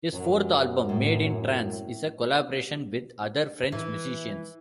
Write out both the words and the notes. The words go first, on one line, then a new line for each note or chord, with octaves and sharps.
His fourth album, "Made in Trance", is a collaboration with other French musicians.
F#2 F#3
A2
E3